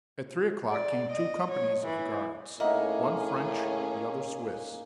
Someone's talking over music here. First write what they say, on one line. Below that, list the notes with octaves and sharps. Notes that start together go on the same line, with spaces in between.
At three o'clock came two companies of the Guards, one French, the other Swiss.
D5
D#5
C#5
E3
A2 A#3 C#4 D#4 G#4 D#5 E5 F#5